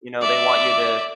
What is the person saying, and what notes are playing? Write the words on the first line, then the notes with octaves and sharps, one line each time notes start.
you know, they want you to
D5 E5